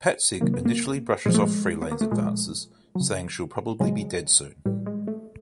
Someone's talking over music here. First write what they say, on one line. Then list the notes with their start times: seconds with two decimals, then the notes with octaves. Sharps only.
Patzig initially brushes off Frelaine's advances, saying she'll probably be dead soon.
0.41 C3 D#3 F#3 A#3
0.54 B3
0.66 A#3
1.26 A#2 F3 G#3
1.34 A3
1.42 G#3
1.82 B3
1.91 A#3
2.01 A3
2.11 A#2 F3 G#3
2.95 F#3
3.00 C#3
3.80 C#3 F#3 G#3
4.66 A2 E3 G3
4.86 G#3
5.07 A3